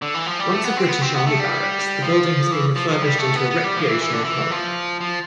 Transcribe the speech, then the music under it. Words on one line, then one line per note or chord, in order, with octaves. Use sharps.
Once a British army barracks, the building has been refurbished into a recreational hub.
D3
E3
F3
G3
A3
B3
C4
B3
C4
B3
A3
G3
F3
E3
F3
F3
G3
A3
B3
B3
G3
F3
E3
E3
D3
E3
F3
F3